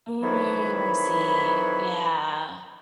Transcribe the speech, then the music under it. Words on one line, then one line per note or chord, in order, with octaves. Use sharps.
Mhm, I see, yeah.
F2 D#3 E3 F#3 C#5 B5